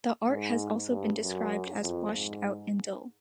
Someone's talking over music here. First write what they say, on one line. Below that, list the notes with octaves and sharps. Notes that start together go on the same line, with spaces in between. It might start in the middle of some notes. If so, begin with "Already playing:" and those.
The art has also been described as "washed out and dull".
G#2
G2
F#2
F2
G#2